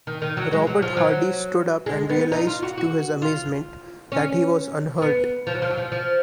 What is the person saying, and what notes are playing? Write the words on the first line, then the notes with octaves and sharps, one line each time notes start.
Robert Hardy stood up and realised to his amazement that he was unhurt.
D#3
D#3
F#3
G#3
F#3
F3
F#3
G#3
B3
D#4
F4
F#4
F#4
F4
C#4
B3
F3
F#3
F3
F#3
F3
F3